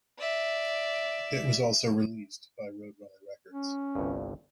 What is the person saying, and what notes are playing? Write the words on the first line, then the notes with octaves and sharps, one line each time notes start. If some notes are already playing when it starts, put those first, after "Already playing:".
It was also released by Roadrunner Records.
D5 E5
C#4
G1 C2 G2